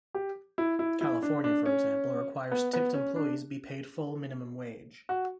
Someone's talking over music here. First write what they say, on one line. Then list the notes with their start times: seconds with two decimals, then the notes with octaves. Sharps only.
California, for example, requires tipped employees be paid full minimum wage.
0.14 G4
0.58 E4
0.79 E4
1.01 E4
1.23 D4
1.44 D4
1.66 C#4
2.51 B3
2.73 B3
2.94 C#4
3.16 D4
5.09 F#4